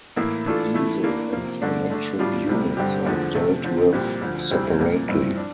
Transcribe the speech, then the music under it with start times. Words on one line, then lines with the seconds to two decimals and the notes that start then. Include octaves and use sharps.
Diesel and electric units are dealt with separately.
0.16 A2 E3 A#3 E4
0.46 E3 A3 D4 F4 A4
0.74 E3 A3 E4
1.03 E3 A#3 D4
1.33 C3 F3 A#3
1.61 G2 D3 A3 D4
1.90 D3 A3 D4
2.19 A2 G3 D4 F4
2.47 C2 C3 G3
2.77 G2 D3 G3 C4 G4
3.06 E2 D3 F3
3.35 C3 F3 A3
3.64 D3 F3 C4
3.93 C2 A#2 G3 C4 G4
4.22 D2 D3 F3
4.51 D2 C3 G3 C4 E4
4.80 C2 A#2 F3 A#3
5.09 G2 F3 C4 E4
5.37 D4